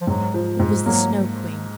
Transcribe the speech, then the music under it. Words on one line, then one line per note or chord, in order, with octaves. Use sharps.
It was the Snow Queen.
F3
G#2 F#3
F3
G#2
F#3 A#3